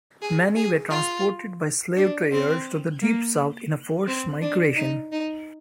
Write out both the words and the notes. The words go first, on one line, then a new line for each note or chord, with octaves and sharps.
Many were transported by slave traders to the Deep South in a forced migration.
G#4
G#4
F4
D4
C4
A#3
C4
D4
D#4
D#4